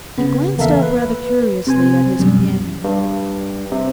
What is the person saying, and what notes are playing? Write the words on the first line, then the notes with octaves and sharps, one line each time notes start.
He glanced up rather curiously at his companion.
C#3 B3
E2 A#3 A4 A#4 E5 F5
B4
C3 C5 G#5
F#2 B2 G3
G2
C3